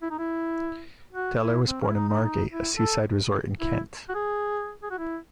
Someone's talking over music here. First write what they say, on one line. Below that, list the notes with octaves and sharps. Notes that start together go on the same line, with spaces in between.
Deller was born in Margate, a seaside resort in Kent.
E4
D#4
E4
F#4
E4
C4
C#4
E4
D#4
D#4
D#4
E4
A4
E4
F#4
G#4
G#4
F#4
E4